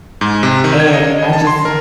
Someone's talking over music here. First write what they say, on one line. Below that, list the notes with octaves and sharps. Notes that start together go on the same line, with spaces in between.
and I just
G#2
C3
D#3
G#6
D#5
A5
C6
A#4